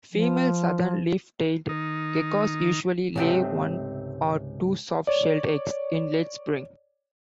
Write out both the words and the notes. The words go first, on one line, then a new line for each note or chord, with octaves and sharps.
Female southern leaf-tailed geckos usually lay one or two soft-shelled eggs in late spring.
F3
D#3 D#4
C#2 G#2 C3 A3 C4 G5
C#5 D5